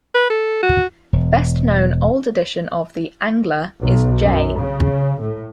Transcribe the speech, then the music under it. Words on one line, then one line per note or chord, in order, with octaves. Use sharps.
The best-known old edition of the "Angler" is J.
B4
A4
F#4
E1
B1
F#2
C#3
A2